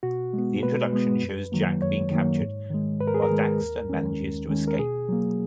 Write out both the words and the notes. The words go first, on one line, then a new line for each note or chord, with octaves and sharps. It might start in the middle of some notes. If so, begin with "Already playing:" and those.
The introduction shows Jak being captured, while Daxter manages to escape.
B2 F#4
G#3 B3
B2 B4
G#3 B3
F#2
D#3 F#3 A#3
F#2 C#5
D#3 F#3 A#3
G#2
D#3 G#3
G#2 B4
A#4
G#4
A#4
D#3 G#3
D#2
D#3 G#3 C#4
D#2
D#3 G#3 C#4
A#4
B2 G#4
F#3 A#3